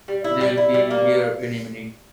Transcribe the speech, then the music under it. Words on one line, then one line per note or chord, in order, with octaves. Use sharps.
They'll be here any minute!
G3
E4
G3
E4
G3
A#3